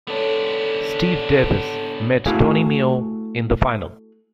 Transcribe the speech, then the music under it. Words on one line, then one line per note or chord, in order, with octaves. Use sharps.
Steve Davis met Tony Meo in the final.
B3 D4 A4 C#5
A3 E4 F#4 G#4 F5 G#5